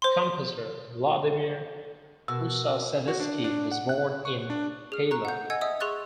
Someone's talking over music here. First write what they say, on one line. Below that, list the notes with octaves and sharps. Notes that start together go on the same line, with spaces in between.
Composer Vladimir Ussachevsky was born in Hailar.
C5 C6
B2 F#4 A#4 E6
F#4
D4
D4
F#5
F#6
C#6
D4
G#4 F6
A#5 C#6 F#6
F#5 G6
D#5 F#5 G#5 E6 G#6
D#5 E5 D#6 E6
G#4 C6 C#6 F#6 A6